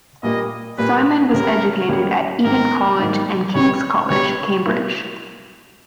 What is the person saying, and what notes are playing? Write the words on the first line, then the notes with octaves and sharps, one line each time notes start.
Simeon was educated at Eton College and King's College, Cambridge.
A#2 G3 A#3 D#5
A#2 G3 A#3 B4
C#2 C#3 G3 A#3 C#4 A#4
C#2 C#3 G3 A#3 C#4
G#2 D#3 A#3 A#4
G#2 D#3 A#3
C#2 B2 G3 C#5
C#2 B2 G3 C#5
B2 A#3 E4